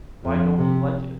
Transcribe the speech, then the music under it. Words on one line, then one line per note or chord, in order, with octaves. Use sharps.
Why don’t you like it?
F2
C3